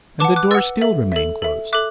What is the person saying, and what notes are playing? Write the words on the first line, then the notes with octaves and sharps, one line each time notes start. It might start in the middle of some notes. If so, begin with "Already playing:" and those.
And the door still remained closed!
B4 F#5 A5 D6
D6 F#6
B4 F#5 E6 A6
A4 E5
A4 E5
A4 E5
A4 E5 D6 F#6